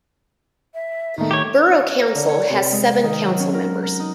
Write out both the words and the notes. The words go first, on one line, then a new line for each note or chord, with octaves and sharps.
Borough Council has seven council members.
E5
D#3 A3 D#4
G4 C#5
C#5
A#4
D3
C#5
C3
G#3
D#3
F#3
C#4
A#4
A#4
D#4